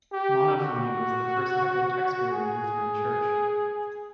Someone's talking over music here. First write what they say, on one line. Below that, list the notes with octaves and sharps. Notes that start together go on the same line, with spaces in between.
Monophony was the first type of texture in the Lutheran Church.
G4
F#4
G#4